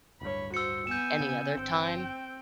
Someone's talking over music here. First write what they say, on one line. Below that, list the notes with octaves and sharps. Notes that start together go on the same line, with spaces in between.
any other time.
D1 G2 C#5 B5
F#4 C5 E6 C#7
B3 G#5 G6 E7
C#3
G1 C4 G5